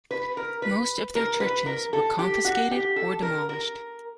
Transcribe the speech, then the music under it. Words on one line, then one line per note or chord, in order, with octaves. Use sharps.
Most of their churches were confiscated or demolished.
B4
A#4
B4
A#4
B4
A#4
A4
G4
F#4
G4
A4
A#4
A#4